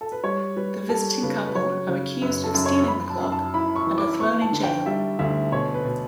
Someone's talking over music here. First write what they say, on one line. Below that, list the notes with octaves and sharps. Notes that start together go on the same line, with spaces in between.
The visiting couple are accused of stealing the clock and are thrown in jail.
A4
B4
G3 C#5
G3 B4
G3 A4
C#3 B4
B4
F#3 C#5
C#3
F#2 B4
A4
F#2
C#5
F#2 B5
A5
F#2
A5
E4 B5
C#6
E3
D6
B3 C#6
A5
D3
G5
G3 E5
D2 E5
B2 C#5
B4
B2